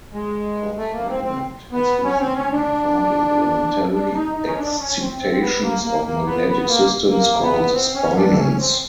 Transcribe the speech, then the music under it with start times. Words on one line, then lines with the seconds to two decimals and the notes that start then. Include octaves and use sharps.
Confinement has recently been found in elementary excitations of magnetic systems called spinons.
0.14 G#3
0.77 A3
0.92 A#3
1.09 C4
1.24 C4
1.72 B3
2.04 C#4
2.19 C4
2.35 C#4
2.52 D4
3.93 D4
4.14 D#4
4.36 D#4
4.47 C#4
4.57 D4
4.79 C#4
5.00 C4
5.20 C4
5.41 B3
5.63 A#3
5.84 A#3
6.04 A#3
6.26 B3
6.47 B3
6.68 A#3
7.10 A#3
7.42 B3
7.73 C4
7.94 C#4
8.15 D4
8.37 C#4
8.58 C4